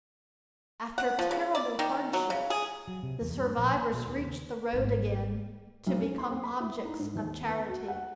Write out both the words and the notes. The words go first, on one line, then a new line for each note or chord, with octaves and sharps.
After terrible hardships, the survivors reached the road again, to become objects of charity.
F#5
F3
C#3
D5
D#3
F#3
C#3
G#4
F#3
C3
E2
G2
A#1
D#3
B2
D#2
C#3
G#1 A#3
B1
C#4
C6
C4
B5
E4
D#4
G#2
D#2
B3
F#4
F#5